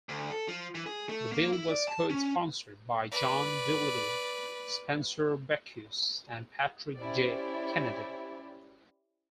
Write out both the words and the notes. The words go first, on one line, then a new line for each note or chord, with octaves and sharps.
The bill was co-sponsored by John Doolittle, Spencer Bachus and Patrick J. Kennedy.
D2
A4
F3
E3
G#4
A3
A#3
E4
D5
A5
C#4
B4 D5
C#4 E4 G4 C5 D5